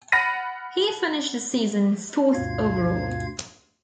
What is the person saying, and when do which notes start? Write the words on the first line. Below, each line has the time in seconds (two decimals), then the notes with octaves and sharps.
He finished the season fourth overall.
0.12 F#5 B5 F6 A6 A#6 D#7
2.33 D2 G2 B2 F4 F5 G#6